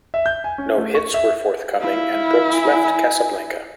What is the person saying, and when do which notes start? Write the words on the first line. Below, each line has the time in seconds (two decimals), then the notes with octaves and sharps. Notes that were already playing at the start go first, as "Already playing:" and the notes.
No hits were forthcoming and Brooks left Casablanca.
0.14 E5
0.26 G6
0.44 G#5
0.58 C#4
0.78 A3
0.95 C#6
1.14 E5
1.81 E4 F5
2.53 G#5